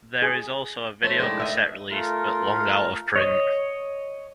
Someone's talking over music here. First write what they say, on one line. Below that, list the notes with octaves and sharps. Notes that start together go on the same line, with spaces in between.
There is also a video cassette released, but long out of print.
G#4
A3 C#4 E4 C5
D#3 G#3 D4 E4 D5
D#5 E5
A3 F4 A#4
C#5 D#5